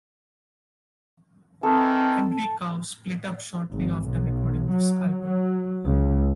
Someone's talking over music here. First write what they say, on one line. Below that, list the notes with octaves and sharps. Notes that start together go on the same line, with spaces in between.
Henry Cow split up shortly after recording this album.
D#3 E3 C4 A4
G#1
B1
F#3
F#3
C#2